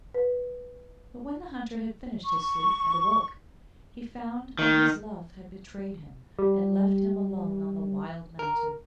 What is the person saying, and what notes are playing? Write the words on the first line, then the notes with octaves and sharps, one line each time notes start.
But when the Hunter had finished his sleep and awoke, he found that his love had betrayed him and left him alone on the wild mountain.
B4
C#6
D#3
G3
A#4